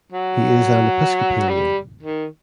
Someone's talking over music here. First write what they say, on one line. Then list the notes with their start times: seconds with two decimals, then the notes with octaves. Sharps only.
He is an Episcopalian.
0.12 F#3
1.49 G3
2.03 D#3